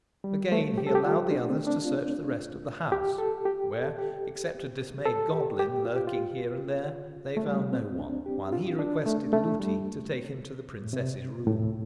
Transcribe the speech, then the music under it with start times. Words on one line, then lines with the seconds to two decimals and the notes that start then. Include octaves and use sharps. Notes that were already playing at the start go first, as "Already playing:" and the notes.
Again he allowed the others to search the rest of the house--where, except a dismayed goblin lurking here and there, they found no one--while he requested Lootie to take him to the princess's room.
0.24 G3
0.52 A3
0.78 G4
0.87 A4
0.95 G4
1.05 F4
1.31 D4
1.41 A3
1.50 C4
1.67 D4
1.85 F4
2.92 G4
3.18 A4
3.45 G4
3.72 A4
3.98 G4
5.05 A4
5.32 G4
5.60 G4
5.85 F4
5.96 G4
6.07 F4
7.37 A3
7.47 G3
7.72 C4
7.99 D4
8.26 G4
8.53 F4
8.79 D4
9.06 A3
9.33 A3
9.60 G3
10.82 A2
10.93 C3
11.47 A2